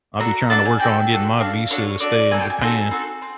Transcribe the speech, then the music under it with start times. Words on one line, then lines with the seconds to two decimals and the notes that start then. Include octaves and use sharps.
I'll be trying to work on getting my visa to stay in Japan.
0.19 D4 F#4 A4 A#5
0.49 D4 F#4 A4 A5
0.65 G#5
0.80 D4 F#4 A4 G5
1.10 D4 F#4 A4
1.40 D4 F#4 A4 F5
1.70 D4 F#4 A4 C#5
2.00 D4 F#4 A4 D5
2.31 C4 D#4 F#4 A4 G#5
2.41 G5
2.50 G#5
2.61 C4 D#4 F#4 A4
2.91 C4 D#4 F#4 A4
3.22 C4